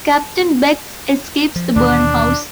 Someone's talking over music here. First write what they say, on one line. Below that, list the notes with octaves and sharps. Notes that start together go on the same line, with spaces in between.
Captain Beggs escapes the burning house.
F3
D#2 B2 E3 D4